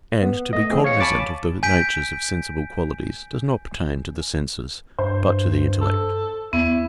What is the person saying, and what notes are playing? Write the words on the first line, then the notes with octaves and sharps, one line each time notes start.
And to be cognizant of the natures of sensible qualities does not pertain to the senses, but to the intellect.
B3
A3 D#5
E3 C4 G#4
C#5 F5 C#7
G#5 A5 B5 C#6 D6 A6
G#5 G6 B6 D7
G2 C5
A4
E2 B3 E4